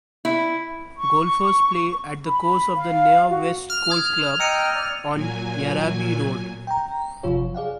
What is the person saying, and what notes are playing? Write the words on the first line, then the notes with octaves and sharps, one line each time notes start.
Golfers play at the course of the Nyah West Golf Club on Yarraby Road.
E4
C#6
B5
F5
F#4
F6
D#6 G#6
D#5 G5 A#5 E6 C#7 D#7
D5
A#2 F#3 G#5
G5 A#5
G1 F#2 C3 F3 F4 C#5
G#4 D5 F5 F#5